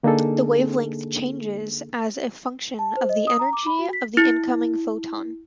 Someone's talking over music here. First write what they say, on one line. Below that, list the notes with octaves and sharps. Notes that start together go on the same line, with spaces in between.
The wavelength changes as a function of the energy of the incoming photon.
D3 A#3 D4 D#4 G#4 A4
A5
C5
D#5
D#6
A#5
D6
B5
F#4
B6
E4